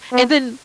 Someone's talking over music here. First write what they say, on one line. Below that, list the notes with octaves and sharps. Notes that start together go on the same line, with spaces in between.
and then,
B3